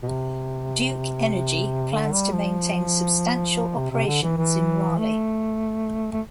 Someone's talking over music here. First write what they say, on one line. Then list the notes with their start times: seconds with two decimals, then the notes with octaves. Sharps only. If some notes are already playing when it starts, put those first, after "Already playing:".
Duke Energy plans to maintain substantial operations in Raleigh.
0.03 B2
0.08 C3
1.93 D3
2.13 G3
2.33 F3
3.76 C3
3.91 C3
4.06 D3
4.22 E3
4.37 E3
4.98 A3
6.12 A3